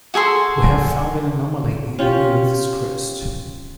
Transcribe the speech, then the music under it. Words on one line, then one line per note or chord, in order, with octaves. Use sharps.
We have found an anomaly in the earth's crust.
F#4 G#4 A4 C6
C#4 F4 G4